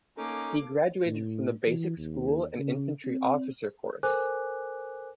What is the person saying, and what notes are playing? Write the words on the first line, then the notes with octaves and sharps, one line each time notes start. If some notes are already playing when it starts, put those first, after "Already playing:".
He graduated from the Basic School and Infantry Officer Course.
A#3 C#4 D#4 A4 D6
A2
E3
D#2
C#3
C4
A4 A#4 C5 G#5 D6 F#6